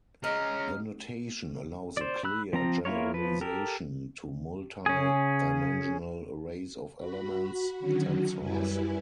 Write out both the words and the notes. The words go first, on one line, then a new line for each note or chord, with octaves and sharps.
The notation allows a clear generalization to multi-dimensional arrays of elements: tensors.
G#3 C#4 D#5 A#5 F6
C5 D5
B5 E6 F#6
F3 C4 A#5
A#3 E4 F4 A#4 C#5
F3 B4
G4 A4 A#4
C#3 C#4 G#4
F#4 B5
D3 D#3 F#3 C#4 F#4
F#2 G3 E4 B4 G#5